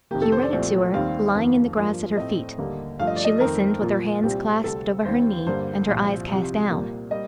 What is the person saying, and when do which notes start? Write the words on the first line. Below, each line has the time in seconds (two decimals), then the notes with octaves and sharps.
He read it to her, lying in the grass at her feet; she listened with her hands clasped over her knee and her eyes cast down.
0.11 F2 C3 D#3 A#3 G4
0.22 A4
0.32 C5
0.42 D5
0.52 C2 A#2 F3 A3 C4 D5
0.94 D#2 D#3 G3 C4 F5
1.35 F2 D#3 A#3
1.76 G2 F3 A#3
2.17 A2 A3 C4 D#5
2.58 D#2 D3 G3 A#3
2.99 G2 F3 A3 F5
3.07 D#5
3.16 D5
3.25 D#5
3.40 F2 D#3 A3 C4 A#4
3.81 A#2 F3 A#3 F4
4.23 C2 A#2 G3 C4 G4
4.64 D2 C3 G3 C4 A4
5.05 D#2 D#3 G3 C4 C5
5.46 G2 D3 G3 A#3 C5
5.88 C2 A#2 F3
6.28 C2 C3 F3
6.70 A#2 G3 A#3
7.11 G3 A#3 D#5